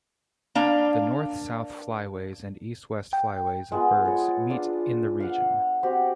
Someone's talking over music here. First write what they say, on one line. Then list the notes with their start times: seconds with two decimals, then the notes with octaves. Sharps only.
The north-south flyways and east-west flyways of birds meet in the region.
0.55 A#3 D4 F5
3.13 G5
3.72 G#3 B3 F4
4.05 A4 C#5
4.49 D4 F4 G#4
5.20 F5 F#5
5.83 C4 F#4 G4